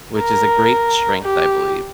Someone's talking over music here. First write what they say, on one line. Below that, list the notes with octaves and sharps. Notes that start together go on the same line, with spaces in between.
which is a great strength, I believe,
A#4
G4